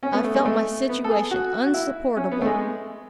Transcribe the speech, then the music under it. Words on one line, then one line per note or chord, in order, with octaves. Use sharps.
I felt my situation unsupportable.
C#4
B3
A3
G#3
A3
B3
A4
G#4
F#4
F#4
E4
C#4
B3
A3
G#3